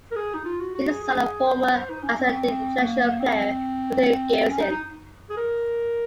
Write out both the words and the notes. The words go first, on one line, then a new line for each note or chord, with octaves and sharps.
He is the son of former Icelandic international player Marteinn Geirsson.
A#4
G#4
D#4
F4
F#4
F#4
G#4
G#4
C5
D#4
C#4
C4
A#3
C4
C#4
D#4
D#4
G#4
A#4